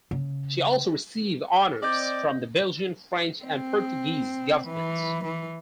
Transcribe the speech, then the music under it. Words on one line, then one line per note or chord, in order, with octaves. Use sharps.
She also received honours from the Belgian, French, and Portuguese governments.
C#3
C4 D5 D#5 G6
C4
E3
E3